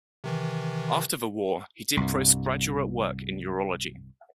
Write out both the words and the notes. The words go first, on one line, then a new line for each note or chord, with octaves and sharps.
After the war, he did postgraduate work in urology.
C3 D#3 E3
C2 G2